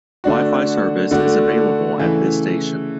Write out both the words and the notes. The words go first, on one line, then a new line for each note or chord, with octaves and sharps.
Wi-Fi service is available at this station.
D3 A3 D4 F#4
D3 A3 D4 F#4
C#3 E3 A3 E4